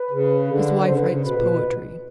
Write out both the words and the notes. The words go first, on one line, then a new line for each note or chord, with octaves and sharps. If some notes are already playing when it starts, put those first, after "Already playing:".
His wife writes poetry.
Already playing: B4
C#3
D3
C#3 C5
D3 B4
C#3
B2 B4
A#2
B2